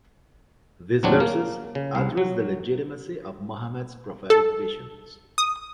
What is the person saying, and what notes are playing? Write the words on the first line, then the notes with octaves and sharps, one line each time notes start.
These verses address the legitimacy of Muhammad's prophetic visions.
D#2 A2 F#3 C4 D4
A#3
C#3
C2
F#3
A4
D#6